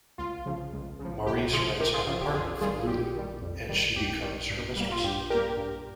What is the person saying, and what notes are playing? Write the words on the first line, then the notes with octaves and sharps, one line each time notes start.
Maurice rents an apartment for Lulu and she becomes her mistress.
C#2 F4
C#3 F3
C#2
C#3 F3
C#2 G4
C#3 F4 G#4
F3
C#2 G4 A#4
F4 G#4
C#3 F3 F4
G4
F2 F4 G#4
D#3 G3 F4 G#4
F2 G4
D#3 G3
F2
D#3 G3
F2 G4
D#3 G3
G2
G3 A#3
F4
G2 G4
G3 A#3 G4 A#4
G2